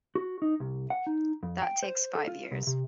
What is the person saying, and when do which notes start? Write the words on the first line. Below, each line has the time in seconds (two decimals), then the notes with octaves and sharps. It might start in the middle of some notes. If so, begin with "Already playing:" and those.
That takes five years.
0.15 F#4
0.42 D#4
0.60 C2
0.90 F#5
1.07 D#4
1.43 F2
1.62 G5
1.83 C5
2.15 A4
2.28 F4
2.51 C2
2.67 C3